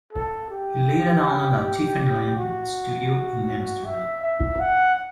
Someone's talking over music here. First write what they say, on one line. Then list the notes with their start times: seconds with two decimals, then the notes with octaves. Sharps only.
He later owned a Tiffany lamp studio in Amsterdam.
0.13 A4
0.50 G4
2.36 F#4
3.85 E5
4.22 E5
4.60 F#5